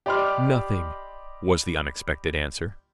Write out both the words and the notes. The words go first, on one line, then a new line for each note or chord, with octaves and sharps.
"Nothing," was the unexpected answer.
G4 D5 D#5 B5 C6 F6